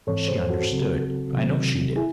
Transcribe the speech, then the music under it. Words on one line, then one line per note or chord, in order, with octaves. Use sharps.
She understood, I know she did.
G#2 E3 C4 A4 C#5
G#4 C5
F#4 A4
C#2 C#3 F#3 C4
C3 D#3 F#3 C4
E4 G#4